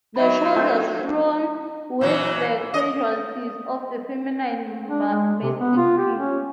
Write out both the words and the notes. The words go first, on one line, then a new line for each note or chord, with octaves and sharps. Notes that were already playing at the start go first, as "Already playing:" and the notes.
The shores are strewn with the casualties of the feminine mystique.
F#3 D#4 D#5 E5 B5
A3 C4
A#2 E3 F#3
D#5
D4
G#3
C3
B3
F4
G4
C#4